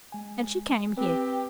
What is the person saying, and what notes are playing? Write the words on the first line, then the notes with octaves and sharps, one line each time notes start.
And she came here.
G#3 G#5
C4 G4 B4